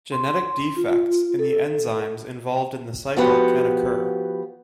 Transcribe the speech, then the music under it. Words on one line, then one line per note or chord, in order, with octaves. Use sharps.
Genetic defects in the enzymes involved in the cycle can occur.
C6
F4
A4
F3 B3 F#4 G4 B4 F#5